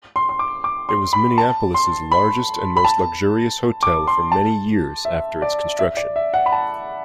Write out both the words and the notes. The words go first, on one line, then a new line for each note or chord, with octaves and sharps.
It was Minneapolis's largest and most luxurious hotel for many years after its construction.
C6
C6
D6
D6
C6
B5
A5
C6
B5
B5
A5
D6
C6
A5
E5
D5
E5
D5
E5
F#5
B5
A5